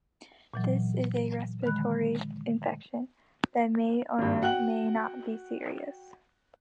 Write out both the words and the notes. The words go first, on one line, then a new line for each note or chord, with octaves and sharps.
This is a respiratory infection that may or may not be serious.
A#2 E3 F#3
D3 D#3 G#3 B5 F#6
G#1 G2
F#4 F#5 G5 F#6 F#7